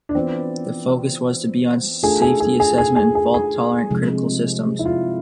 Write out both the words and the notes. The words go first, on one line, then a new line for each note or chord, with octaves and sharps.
The focus was to be on safety assessment and fault-tolerant critical systems.
D4
E3 B3 C4 F4 B4 D5
A3 D4 F4 G#4 A4
G#4
G#4
G#4
G#4
G#4
G#4
G#4
C3 F3 G#3
E4
F4